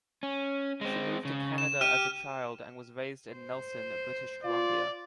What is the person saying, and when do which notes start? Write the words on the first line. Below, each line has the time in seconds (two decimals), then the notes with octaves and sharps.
She moved to Canada as a child, and was raised in Nelson, British Columbia.
0.23 C#4
0.81 G#3 C4
1.25 C#3
1.58 E7
1.81 G4 F6 D#7
3.33 C5
4.43 F4 D5